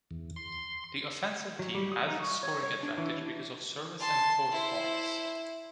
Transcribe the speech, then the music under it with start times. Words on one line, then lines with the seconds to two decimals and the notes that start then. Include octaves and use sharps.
The offensive team has the scoring advantage because of service and court points.
0.11 E2
0.36 C6
1.59 F#3
1.75 G3
1.92 D#6
2.07 D#4
2.20 C#6
2.43 C#5
2.63 C#5
2.83 D4
2.98 E3
3.18 D4
3.99 A5 C6
4.52 E4 C5